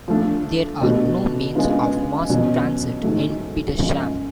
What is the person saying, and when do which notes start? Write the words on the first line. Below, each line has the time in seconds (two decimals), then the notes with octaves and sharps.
There are no means of mass transit in Petersham.
0.08 F3 A3 D4
0.81 B2 A3 D4 F#4
1.55 C#3 G#3 B3 D4 F4
2.29 B2 F#3 C#4
3.03 G#2 F#3 A3
3.77 F#2 F3 G#3